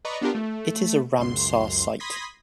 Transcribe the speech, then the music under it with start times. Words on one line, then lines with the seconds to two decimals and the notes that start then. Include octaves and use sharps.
It is a Ramsar site.
0.05 B4 D5 D#5 A#5 B5 C#6
0.21 B3 D4 F4 G4 A#4
0.35 A3
1.19 C#2 F#2 C6
2.00 B5 C6 D#6 G#6 A#6 B6